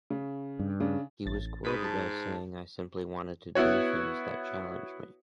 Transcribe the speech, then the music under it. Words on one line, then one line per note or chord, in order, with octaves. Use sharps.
He was quoted as saying I simply wanted to do things that challenge me.
C#3
G2
C#3 D4
A1 A6
G#2 B5 D#6 B6
A5
B3 E4 F#4 C#5